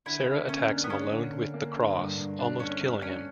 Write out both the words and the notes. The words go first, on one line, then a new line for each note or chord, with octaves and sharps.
Sarah attacks Malone with the cross, almost killing him.
D3 E4
D3
A#3 C#4
D4
B3
C#4 D4
D3
D3
A#3
D3
G2
G2
D4
C#4 D4
D4
C#4 D4